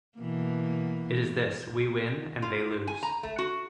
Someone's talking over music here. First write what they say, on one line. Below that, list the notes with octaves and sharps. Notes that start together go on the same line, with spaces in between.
It is this: We win and they lose.
B2 E3 A#3
F4
G#5
A#5
A3
F#4